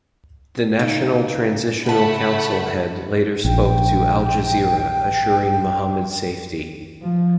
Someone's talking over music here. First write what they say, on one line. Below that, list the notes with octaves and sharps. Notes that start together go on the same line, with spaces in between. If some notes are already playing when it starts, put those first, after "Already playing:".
The National Transitional Council head later spoke to Al Jazeera assuring Muhammad's safety.
C#3 D#4
C#3 A3 F#5 A5 B5
A#1 G5
F3